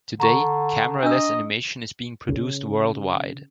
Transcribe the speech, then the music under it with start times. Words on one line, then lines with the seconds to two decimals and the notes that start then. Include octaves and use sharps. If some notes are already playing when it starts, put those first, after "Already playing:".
Today, cameraless animation is being produced worldwide.
0.20 D3 A#5 C#6
1.03 D4 D#5 E6
2.29 C#3